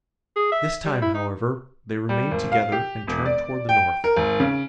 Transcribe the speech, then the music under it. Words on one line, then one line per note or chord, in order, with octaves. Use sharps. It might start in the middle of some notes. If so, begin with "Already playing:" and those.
This time, however, they remained together and turned toward the north.
G#4
E5
G3
E4
D#4
G3
G#1
F5
G4
E1
D5
G5
A#4
G#1
C#3